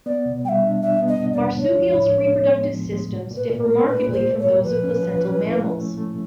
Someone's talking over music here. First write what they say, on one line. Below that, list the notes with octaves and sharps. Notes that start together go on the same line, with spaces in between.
Marsupials' reproductive systems differ markedly from those of placental mammals.
B3 D5
B2
G3 E5 G5
D4
D4 E5
B3
D#5
B2
D5
D4
G#3 C#5
F3
A2
G#3
B3
G#3
F3
G#3
A#2
A#2
B4
A#2
A#4
G#3
A#2 B4
A#2
C5
A#2
C#5
A#2
F3 B4
C#4
F3
C#4
E4
A3
A3
A3